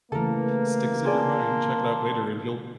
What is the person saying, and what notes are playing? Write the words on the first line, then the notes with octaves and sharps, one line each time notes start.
sticks in your mind, check it out later and you'll
C#3 E3 A3 A#3 A4 A#4
F4 G#4 D5 A5 C6